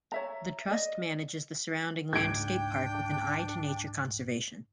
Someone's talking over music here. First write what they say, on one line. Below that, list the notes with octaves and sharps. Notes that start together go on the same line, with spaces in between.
The Trust manages the surrounding landscape park with an eye to nature conservation.
C#5 E5 A#5
D5 D#5
C#2 G#2 D4 G5 G#6 D7